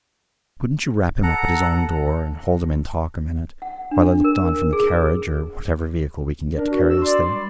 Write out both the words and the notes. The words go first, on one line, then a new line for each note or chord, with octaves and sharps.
Couldn't you rap him up at his own door, and hold him in talk a minute, while I looked on from the carriage or whatever vehicle we can get to carry us there?
A4 F#5 A#5
F#5
D4
A#4
G#4
D4 A#4
F#4
E6
D5 C6
G3